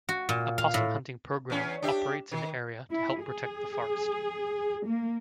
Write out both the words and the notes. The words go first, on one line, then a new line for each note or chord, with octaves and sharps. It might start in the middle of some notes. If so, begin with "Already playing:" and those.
A possum-hunting programme operates in the area to help protect the forest.
F#4
A#2
F5
A2
E2 C#4
D4 G4 E5
D#3
E4
G#4
A#3